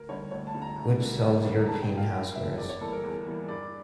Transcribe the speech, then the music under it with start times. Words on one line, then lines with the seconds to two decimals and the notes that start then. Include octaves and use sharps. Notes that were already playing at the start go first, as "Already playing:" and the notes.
Which sells European housewares.
Already playing: D2 A#4
0.09 D3 G3 C#5
0.31 D2 C#5
0.47 A5
0.54 D3 G3
0.62 A#5
0.77 D2
0.99 D3 G3 A#3
1.22 D2
1.45 D3 G3 A#3
1.60 A#5
1.67 G2 A5
1.83 G5
1.90 F3 A#3
1.97 F5
2.12 G2 A#4
2.35 F3 A#3 E5
2.58 E2 D5
2.69 C#5
2.81 E3 G3 A#3 A4
2.92 A#4
3.03 E2
3.26 E3 G3 A#3
3.48 G2 D5